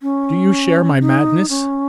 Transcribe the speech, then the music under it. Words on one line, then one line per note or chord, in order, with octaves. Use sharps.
Do you share my madness?
C#4
D#4
C#4